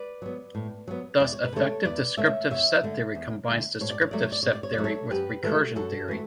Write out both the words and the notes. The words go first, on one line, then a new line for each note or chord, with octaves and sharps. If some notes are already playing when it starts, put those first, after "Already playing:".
Thus effective descriptive set theory combines descriptive set theory with recursion theory.
Already playing: B4 D5
F#3 B3
A2
F#3 B3
E2 D5
C#5
B4
D3 A3 A4 C#5
E2 B4 D5
D3 A3 C#5 E5
E2 C#5 E5
D3 A3
E2
D3 A3
A2 C#5
D5
C#5
F#3 A3 D5
C#5
D5
A2 C#5
D5
C#5
F#3 A3 D5
A4 C#5
F#2 G4 B4
E3 A3 F#4 A4
F#2 F#4 A4
E3 A3